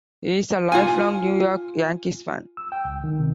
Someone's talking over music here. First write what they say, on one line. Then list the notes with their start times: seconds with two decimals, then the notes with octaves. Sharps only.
He is a lifelong New York Yankees fan.
0.72 F4 G#5
2.57 E6
2.72 G5
2.85 C#2
3.04 D#3
3.20 C3